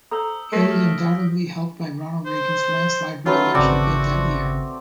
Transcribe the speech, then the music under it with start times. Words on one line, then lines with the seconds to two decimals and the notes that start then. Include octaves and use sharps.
He was undoubtedly helped by Ronald Reagan's landslide reelection bid that year.
0.11 A4 C5 A#5 D#6 E6 G6
0.52 A3 A#4 C#5 A#6 B6 D7
0.72 F6
2.26 C5
3.26 F#3 A3 C#4 F4 B4
3.55 G#1 C#3 C4 F#4 D5 A5